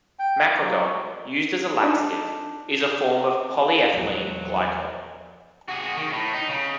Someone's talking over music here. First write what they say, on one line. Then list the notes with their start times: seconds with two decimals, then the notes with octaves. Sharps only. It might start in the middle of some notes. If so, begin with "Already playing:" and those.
Macrogol, used as a laxative, is a form of polyethylene glycol.
0.19 G5
0.39 F5
0.61 F#3
1.83 D4 D#4
3.93 E2 A#2 F3 F#3
5.69 F#4 G#4
5.98 D#3
6.13 A2
6.34 D#4
6.49 C#3